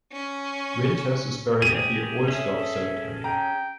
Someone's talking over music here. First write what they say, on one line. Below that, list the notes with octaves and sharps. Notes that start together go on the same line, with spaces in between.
Winters is buried at the Ohlsdorf Cemetery.
C#4
G4 G#4 D#7
C#4 G#4 A4 E5
G5 A#5